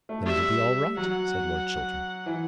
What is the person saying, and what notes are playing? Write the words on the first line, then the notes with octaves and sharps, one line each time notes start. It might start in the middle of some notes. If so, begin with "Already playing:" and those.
"Then it'll be all right," said Lord Chiltern.
A3
A3
G3 E5
F#3 F#5
E3